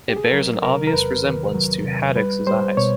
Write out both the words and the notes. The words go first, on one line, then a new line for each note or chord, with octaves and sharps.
It bears an obvious resemblance to Haddocks' Eyes.
G4
G#4
A4
F#3 A#4
C3 A#4
A#4
E2 B4
D#3
F#3
C3
G3 B4
G3 C5
B2 C#5